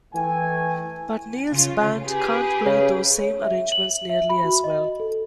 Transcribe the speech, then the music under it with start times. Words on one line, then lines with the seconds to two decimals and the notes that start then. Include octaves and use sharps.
But Neal's band can't play those same arrangements nearly as well.
0.13 E3 A3 G5 G#5
1.51 C#3 F4
2.04 G4 G#4 B4
2.65 C#3
3.19 C#5
3.42 E5
3.72 F#7
4.10 E5
4.30 B5
4.44 F#4
4.64 D#5
5.00 A4